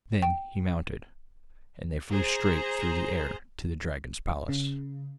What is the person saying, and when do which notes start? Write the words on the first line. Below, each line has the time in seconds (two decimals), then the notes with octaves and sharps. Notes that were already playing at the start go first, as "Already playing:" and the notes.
Then he mounted, and they flew straight through the air to the dragon's palace.
0.22 G5
2.11 G#4 C5 A#5
4.49 C#3